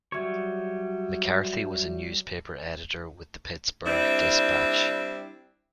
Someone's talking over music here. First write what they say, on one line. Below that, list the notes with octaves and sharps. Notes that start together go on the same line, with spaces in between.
McCarthy was a newspaper editor with the "Pittsburgh Dispatch".
F#3 G3 F#4 C#5 E5
G3 C4 D4 E4